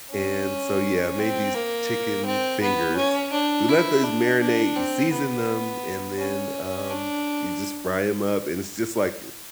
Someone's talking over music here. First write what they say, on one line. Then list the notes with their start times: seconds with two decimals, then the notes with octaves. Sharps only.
and so, yeah, made these chicken fingers. We let those marinate, you season them, and then, um, you just fry 'em up and it's just like re
0.11 C#4
1.19 C4
1.54 A#3
2.25 C4
2.62 B3
2.96 C#4
3.32 D4
3.69 E4
4.04 D4
4.40 D4
4.76 C4
5.11 B3
6.18 C#4
6.90 D4